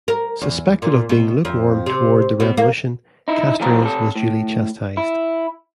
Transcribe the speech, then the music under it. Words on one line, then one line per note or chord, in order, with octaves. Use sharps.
Suspected of being lukewarm toward the revolution, Castres was duly chastised.
A#4
E2
A#2
B2
F2
C3
B2
A#3
D#4 E4
E3 F#3 A#3 A#4
C3 A4
A2
E4